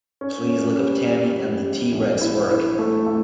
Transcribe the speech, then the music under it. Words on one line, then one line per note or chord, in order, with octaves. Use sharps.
Please look up Tammy and the T-Rex work.
C#4
C#4
G3
G3
C#4
G3
A#1
E4
E4
A3
A3